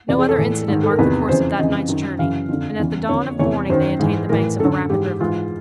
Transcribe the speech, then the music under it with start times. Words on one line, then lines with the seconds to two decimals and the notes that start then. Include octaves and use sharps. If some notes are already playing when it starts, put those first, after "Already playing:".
No other incident marked the course of that night's journey, and at the dawn of morning they attained the banks of a rapid river.
0.08 F2 C3 E3 D5
0.18 G#4
0.29 A4
0.38 A2 E3
0.68 G#2 D#3
0.83 A4
0.91 A#4
0.99 E2 C3 D#3 B4
1.29 F2 C#3 E3 C5
1.59 F2 C#3 E3 D#5
1.88 F#2 D#3
2.19 F#2 C#3 E3 F5
2.49 F2 D3
2.79 E2 C#3 E3
3.09 F2 D3 C#5
3.39 E2 C3 E3 C#5
3.69 F#2 D#3 C5
3.99 G#2 E3
4.29 A2 E3 A#4
4.59 F#2 D3 A4
4.90 G#2 E3 G4
5.20 G#2 E3 F4